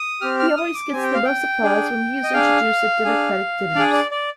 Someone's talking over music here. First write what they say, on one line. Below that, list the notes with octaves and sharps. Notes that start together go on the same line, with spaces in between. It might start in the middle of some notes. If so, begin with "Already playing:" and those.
He always gets the most applause when he is introduced at Democratic dinners.
Already playing: D#6
C4 G4 F6
F6
D#6
D6
C4 G4 G#5
G5
F5
G5
D4 G#4
D#5
D4 G#4 F5
D4 G#4
D4 G#4 D5
D5
D5